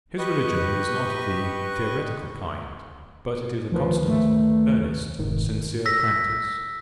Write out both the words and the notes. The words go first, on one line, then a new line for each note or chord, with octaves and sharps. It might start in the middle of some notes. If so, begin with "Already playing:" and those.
His religion is not of the theoretical kind, but it is a constant, earnest, sincere practice.
G4 B4 D#5 C#6
D2 D#3 F3 B4
A3
F1 G#2 D#3
E6 A#6 B6